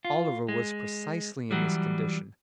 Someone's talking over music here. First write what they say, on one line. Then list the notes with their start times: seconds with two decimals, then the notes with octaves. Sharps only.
Oliver was precisely in this condition.
0.05 F4
0.48 G#3
1.51 E3 F#3 G3